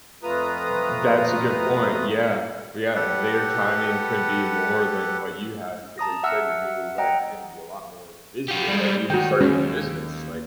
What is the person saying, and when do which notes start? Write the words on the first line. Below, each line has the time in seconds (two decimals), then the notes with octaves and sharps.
Th that's a good point, yeah, yeah, their timing could be more than what you have because like you said, you're newlywed, you're gonna be a lot more busier, like, even starting your business, like,
0.23 F2 A3 F4 B4 A#5 D#6
2.95 G4 A4 B4 F#5
5.98 A5 A#5 D#6 A#6
6.23 E5 F#5 E6 F6
6.98 D#5 F#5 G5 A#5
8.48 F4 G4
8.68 G3 G#3
9.10 D#3 F#4 G5
9.41 D#2 G#3 C#4